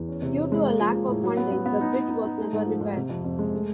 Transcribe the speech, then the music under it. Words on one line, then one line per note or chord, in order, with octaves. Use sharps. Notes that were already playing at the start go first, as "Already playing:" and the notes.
Due to a lack of funding, the bridge was never repaired.
Already playing: E2
C#4
C3
C#4
G#3
A#3
F3
F3
A2
F#3
B3
B3
B3
D#4
D#4
D#4
D#4
A3
G#2
F3
G#2
C3
F2
F2
G#3
A3